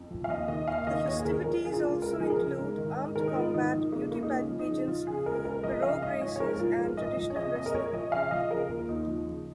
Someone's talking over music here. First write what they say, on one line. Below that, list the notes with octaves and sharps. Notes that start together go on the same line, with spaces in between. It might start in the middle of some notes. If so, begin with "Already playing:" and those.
The festivities also include armed combat, beauty pageants, pirogue races, and traditional wrestling.
Already playing: F2
F3
F5
D#2 D#5
D#3 D#5
D#2 F5
D#3 D#5
D#2 C#5
G#4
D#3 A#4
F3 A#4
C#3 G#4
F4
C#2
C#2 A#4
F3 G#4
A#4
C#3
G#2
D#3
G#2
D#3 A#4
D#4
G#2 F4
D#3 D#4
F3 D#4
C#3 A#3
C#2 A#3
D#4
C#2 C#4
F3
D#4
C#3
F3 F4
C#3 G#4
C#2 A#4
C#2 A#4
F3 D#5
C#3 F5
G#2 D#5
F3 C#5
C#5
G#2 A#4
F3 F4
G#2 A#4
F3 D#5
F3
C#5
C#3 D#5
F2 D#5
A#4
F2 C#5
F3 D#5
C#3 F5
F3 D#5
C#3 A#4
D#2 F4
D#2 D#4
F3
C#3